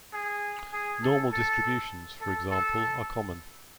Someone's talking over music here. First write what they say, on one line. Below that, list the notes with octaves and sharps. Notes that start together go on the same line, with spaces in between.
Normal distributions, for example, are common.
G#4
G#4
A4
A4
A4
A4